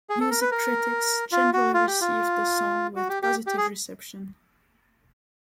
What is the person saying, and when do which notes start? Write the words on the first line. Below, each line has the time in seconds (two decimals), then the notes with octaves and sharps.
Music critics generally received the song with positive reception.
0.10 G#4
0.20 A4
0.30 A#4
0.41 B4
0.51 A#4
1.32 F4
1.53 F#4
1.74 F4
1.87 G4
2.01 F4
2.96 F#4
3.09 G4
3.23 G4
3.47 G4
3.57 G#4